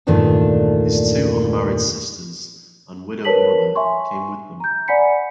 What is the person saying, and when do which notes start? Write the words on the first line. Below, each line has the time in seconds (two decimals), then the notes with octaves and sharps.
His two unmarried sisters and widowed mother came with them.
0.07 E2 G2 A#2 D#3 A3 D4
3.25 A#4 B4 C#5 A5 B6 F#7
3.75 E5 G#5 C6 C#6
4.60 A#5 G6
4.88 D5 F#5 G#5 B5 B6 C#7